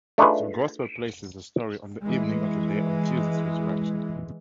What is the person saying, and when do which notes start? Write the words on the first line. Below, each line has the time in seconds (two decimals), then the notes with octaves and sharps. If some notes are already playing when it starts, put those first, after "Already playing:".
The gospel places the story on the evening of the day of Jesus' resurrection.
0.18 A3 D4 D#4 F4 G#4 B4
2.03 E3 G#3